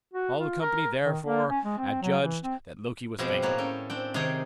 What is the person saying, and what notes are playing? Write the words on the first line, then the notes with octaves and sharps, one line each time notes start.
All the company therefore adjudged that Loki was vanquished.
F#4
F4
A#4
D#3
A#3
C#4
G#3
C4
F#3
E3
C4
B2 F3 G#3 C4 G4
A2 A#3 C#5 F#5
C#4 A4 G5
C4 D4 G5
C3 D#3 D#4 G#4 C#5 G5